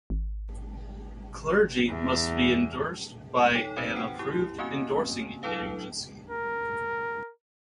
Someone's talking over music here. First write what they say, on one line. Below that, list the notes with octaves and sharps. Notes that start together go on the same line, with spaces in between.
Clergy must be endorsed by an approved endorsing agency.
G#1
E2
D#4 A4 C#5 G5 B6
C4 D#4 F#4 B4 C5
F#5 G5 C7
E4 G4
A#3 C4 C#4 F#4 G#5
F#3 D4 E4 A4 B4 F5
A#4